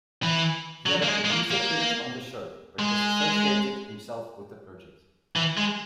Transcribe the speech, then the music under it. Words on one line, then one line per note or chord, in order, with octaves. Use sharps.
He had a producer credit on the show, but disassociated himself with the project.
E3
F#3
A#3
G#3
G#3
A#3
A#3
G#3
E3
G#3